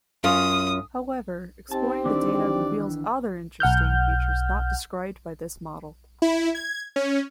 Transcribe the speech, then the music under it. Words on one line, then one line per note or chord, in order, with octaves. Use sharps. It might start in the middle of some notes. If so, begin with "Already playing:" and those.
However, exploring the data reveals other interesting features not described by this model.
F#2 C#4 F4 D#6
C4 D#4 G4 A5
D#3 E3 D4 D5
B1 F#5 F6 G6
E4
G#6
C#4